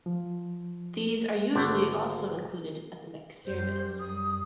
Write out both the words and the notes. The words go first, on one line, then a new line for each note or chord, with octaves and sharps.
These are usually also included at the next Service.
F3
G#1 D3 A3 G5
F#2 G3 C5
D#6